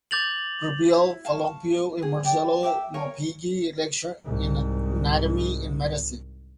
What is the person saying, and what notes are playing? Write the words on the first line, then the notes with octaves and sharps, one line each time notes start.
Gabriele Falloppio and Marcello Malpighi lectured in anatomy and medicine.
D6 G6 A6 F7 F#7
E4
F5 A5 C#6
G#4
D5 G5 D6
E5 G5 D6
A#4 C#5 F5 G#5
C2 G#2